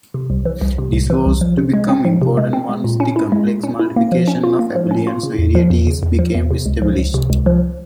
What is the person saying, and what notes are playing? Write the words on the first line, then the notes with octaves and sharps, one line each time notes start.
This was to become important once the complex multiplication of abelian varieties became established.
C3
C2
E3
C2
C3
C2
E3
C2
F3
C3
G#3
C4
F3
C3
G#3
C4
G#3
A#2
C#4
E4
G#3
A#2
C#4
E4
A#3
F3
C#4
F4
A#3
F3
C#4
F4
C#3
E2
F3
E2
C#3
E2
F3
E2
C3
C#2
F3
C#2
C3
C#2
F3